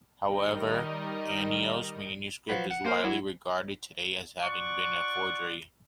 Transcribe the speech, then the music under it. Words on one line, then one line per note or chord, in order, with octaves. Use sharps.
However, Annio's manuscript is widely regarded today as having been a forgery.
D#3 G3 D#4 A#4 D#5
F3 F#3 B4
F#5
A#3 C5 F5
F#3 E4
F4 D5 F#5 C#6